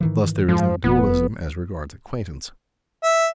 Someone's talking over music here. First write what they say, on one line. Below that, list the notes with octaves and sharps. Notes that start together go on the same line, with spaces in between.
Thus there is no dualism as regards acquaintance.
G#2 D#3 E3
G#2 F3
F1 F2 B3
E5